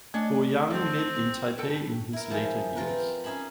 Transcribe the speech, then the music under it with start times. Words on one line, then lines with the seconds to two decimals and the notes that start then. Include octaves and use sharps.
Bo Yang lived in Taipei in his later years.
0.14 A3 D4 C#5 D#5
0.70 C4 A4 C5
1.58 B2 A4 G5
2.13 E4 A#4
2.30 D#3 F3 G#3 A3
2.76 F4 A#4 B4
2.88 C4
3.24 C#4 D#4 G#4 E5 B5